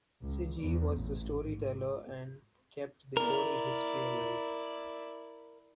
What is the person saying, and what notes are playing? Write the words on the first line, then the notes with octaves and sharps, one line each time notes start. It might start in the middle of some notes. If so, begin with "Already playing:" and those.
Siggie was the story teller and kept the 'oral history' alive.
C#2
E2
A1
G#2
E4 A#4 D5